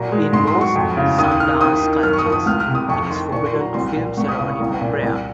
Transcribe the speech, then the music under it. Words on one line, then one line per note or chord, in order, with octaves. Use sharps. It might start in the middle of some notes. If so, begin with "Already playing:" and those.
In most sun dance cultures, it is forbidden to film ceremony or prayer.
Already playing: A#2 F#3 A#5
G#3
G#2 C6
C6
F#3
C#6
F2
C#3
D#2 D#6
D#6
D#3 F6
D#2 D#6
D#3
F#2 F6
C#6
D#6
F3
D#6
C#2 F6
F6
C3
D#6
F2 C#6
D#3 C6
A#2 C#6
C6
F#3
A#5
C2 C6
A#2
C#2 C#6
D#6
C#3 D#6
C#6
C2
A#2
C2